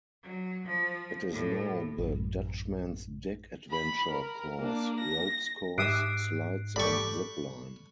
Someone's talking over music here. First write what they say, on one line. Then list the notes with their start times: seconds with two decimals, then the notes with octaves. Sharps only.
It is now the "Dutchman's Deck Adventure Course" ropes course, slides and zip line.
0.22 F#3
0.65 F3
1.31 A2
1.98 A1 F#2
3.71 B5
4.11 A#4
4.59 A#3 D4
5.00 A#6
5.78 G#2 G4 E5 D#6 F#6 C7 D7
6.76 G4 A4 D5 B5 C#6